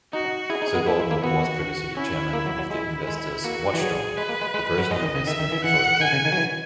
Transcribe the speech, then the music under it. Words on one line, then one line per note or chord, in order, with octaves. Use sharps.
Sir Gordon was previously chairman of the investors' "watchdog", the Personal Investment Authority.
D#4 F#4
E4 G#4
D#4
B3
A#3 E4
G#3
A#3
B3 F#4
C#4 E4
A#3
F#3
F#3
G#3 E4
G#3
A#3 F#4
E3
F#3 G#4
G#3 B4
A#3
G#3
G#3
F#3
G#3 D#5
D#3
C#3
D#3 E5
D#3
E3
E3 F#5
D#3 G#5
C#3
D#3
F#3
E3